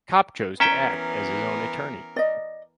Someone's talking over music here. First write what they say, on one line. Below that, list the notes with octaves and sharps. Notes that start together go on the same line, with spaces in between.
Kopp chose to act as his own attorney.
E3 B3 C#4 A#4 E5 G5 A#5
D5 D#5